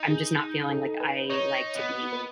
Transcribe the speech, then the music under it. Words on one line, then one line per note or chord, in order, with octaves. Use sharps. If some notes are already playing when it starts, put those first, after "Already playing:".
I'm just not feeling, like, I, like, to be
Already playing: D#4
G#4
A4
B4
D#4 C#5
B3 D#5
B4